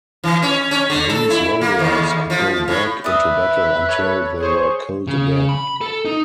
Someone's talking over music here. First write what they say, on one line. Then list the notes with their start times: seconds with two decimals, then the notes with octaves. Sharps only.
These warriors could go back into battle until they were killed again.
0.24 E3
0.42 C#4
0.71 C#4
0.90 D3
1.09 A4
1.30 E4
1.61 A#3
1.79 D#2
2.30 F3
2.68 A2
3.04 B4 D5 E5 D#6
3.89 A4 C#5
4.40 G#4 C5 C#5 C#6
5.07 C#3
5.49 B5
5.81 A4
6.05 D#4